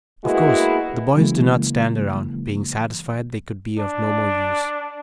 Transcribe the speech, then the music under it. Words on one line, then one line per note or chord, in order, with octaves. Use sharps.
Of course the boys did not stand around, being satisfied they could be of no more use.
G#3 A#3 B3 E4 F#4 G#4
C#3 E3 F#3 G#3 A#3
D4